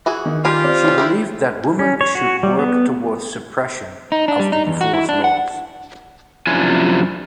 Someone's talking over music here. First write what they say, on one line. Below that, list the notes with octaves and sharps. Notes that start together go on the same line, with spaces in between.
She believed that woman should work towards suppression of the divorce laws.
E3 F#4 G#4
D#3
G3 F4 G4 A#4 G#5
C4 D5
C#4 A4
C4 D4 E4
C#4
C#5
F#4
G3
B3
D#4
D4
G3
D#4
E2
F#4
E4
D4
F#5
F#2 C3 F3 D4 E4 G#5